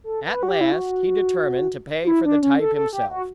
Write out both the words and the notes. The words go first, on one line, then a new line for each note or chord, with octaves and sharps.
At last he determined to pay for the type himself.
A4
B4
F#4
G4
E4
F#4
F#4
E4
D4
C#4
A4
A4
G4
F#4